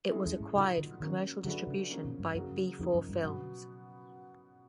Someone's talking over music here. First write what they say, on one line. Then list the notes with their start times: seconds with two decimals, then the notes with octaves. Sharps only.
It was acquired for commercial distribution by Be For Films.
0.10 G#3 C#4 E4 A4
0.26 E2
0.40 A2
0.55 A#2 C#3 F#3 B3 D#4 F#4
0.78 D3
1.00 D#3 F#3 A#3 C#4
1.44 D3 F#3 A3 D4 F#4 B4
1.67 C#3
1.89 C#3 F3 A#3 C#4
2.05 B2
2.19 G2
2.34 F#2 C#3 F#3 A#3
2.79 F2 C#3 F3 A#3 D#4
2.94 F#2
3.09 G2
3.24 G2 B2 F#3 B3